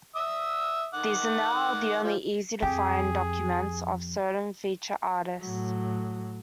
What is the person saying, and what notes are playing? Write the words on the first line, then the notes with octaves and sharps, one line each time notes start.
These are now the only easy-to-find documents of certain featured artists.
E5 D#6 E6
D#3 F#5 D6
F3 G3 F4
F2 G4 G#4
A2 F#3